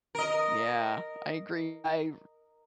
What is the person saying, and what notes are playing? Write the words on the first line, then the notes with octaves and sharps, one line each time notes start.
Yeah, I agree. I
A#4 D#5